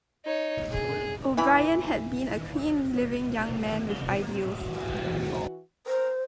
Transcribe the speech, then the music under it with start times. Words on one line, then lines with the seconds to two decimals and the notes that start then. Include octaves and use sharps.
O'Brien had been a clean living young man with ideals.
0.25 D#4 C#5
0.71 G#4
1.37 E3 E4 G#5 B5
4.57 E3 F#4
5.87 A#4 C5